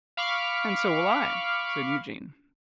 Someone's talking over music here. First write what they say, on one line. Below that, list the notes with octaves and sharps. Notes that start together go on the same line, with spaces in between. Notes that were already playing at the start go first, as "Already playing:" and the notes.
'And so will I,' said Eugene.
F5 B5 C#6 D6 F6